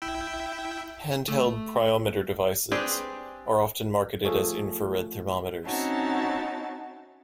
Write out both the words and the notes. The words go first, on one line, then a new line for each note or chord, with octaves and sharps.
Handheld pyrometer devices are often marketed as infrared thermometers.
E4 E5 G5
A3
C4 D4 G4 G#4 B4
F3 A3 G#4
C4 C#4 D#4 E4 F#4 A5